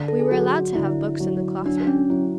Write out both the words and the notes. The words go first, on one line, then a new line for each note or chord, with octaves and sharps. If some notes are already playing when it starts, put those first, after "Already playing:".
We were allowed to have books in the cloth-room.
Already playing: D3
A4
G#4
F#3 F#4
D3 E4
F#3
F#3 D4
C#4
F#3 E4